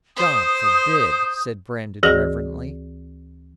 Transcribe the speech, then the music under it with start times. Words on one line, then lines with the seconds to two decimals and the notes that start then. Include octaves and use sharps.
"God forbid!" said Brandon reverently.
0.16 C5 D#6 G6
2.03 D2 E3 F#4 G#4 A#6